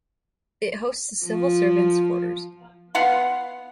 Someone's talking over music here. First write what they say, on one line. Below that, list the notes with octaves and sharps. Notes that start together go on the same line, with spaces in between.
It hosts the civil servants quarters.
F3
B3 F5 F#5 C6